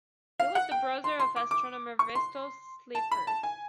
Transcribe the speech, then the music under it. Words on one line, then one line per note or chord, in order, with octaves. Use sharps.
He was the brother of astronomer Vesto Slipher.
F5
F#5
G5
C6
C6
D6
D6
C#6
C6
A5
B5
A5
G#5